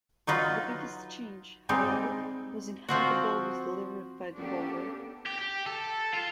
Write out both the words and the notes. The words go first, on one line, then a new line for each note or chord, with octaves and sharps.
The biggest change, however, was in how the ball was delivered by the bowler.
F#3 D#4 F4 B4
G3 G#3 C4 D#4
F3 C4 F#4
A#3 B3 C#4 D4 G4 A4
G4
G4
A4
F4